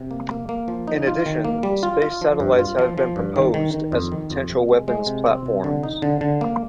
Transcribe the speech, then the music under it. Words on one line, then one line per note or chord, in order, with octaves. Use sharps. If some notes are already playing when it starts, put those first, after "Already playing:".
In addition, space satellites have been proposed as potential weapons platforms.
Already playing: C3
A#3
A#3
A#3
F3
D#4
F4
D#3
A#3
G3
F4
F4
F3
G2
F4
F3
F3
G2
D#3
D#3
D#3
F2
D#3
F2
C3
G#3
G#3
C3
C4
C3
D3
D#4
D3
D3
A#3